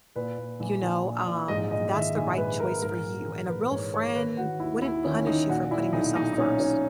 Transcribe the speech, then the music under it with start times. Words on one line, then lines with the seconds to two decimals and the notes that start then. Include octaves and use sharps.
You know, um, that's the right choice for you, and a real friend wouldn't punish you for putting yourself first.
0.16 A#2 B4
0.38 A#2
0.60 A#1
0.82 A#1
1.04 A#2
1.27 A#2
1.48 G#2 D#5
1.71 A#1 D#5
1.93 D#3 E5
2.16 A#1
2.37 G#2 B4
2.60 A#1 A#4
2.82 G#2 A#4
3.04 A#1
3.26 E3
3.49 A#1 B4
3.60 B4
3.71 G#2 C#5
3.94 A#1 C#5
4.15 D#3 B4
4.37 D#3 F#4
4.60 D#2 E4
4.82 D#2 E4
5.05 D#3 C#4
5.27 D#3 D#4
5.49 A#2 F#4
5.71 A#2 E4
5.93 B1 D#4
6.15 B1 D#4
6.33 D#4
6.38 A#2 C#4
6.60 A#2 C#4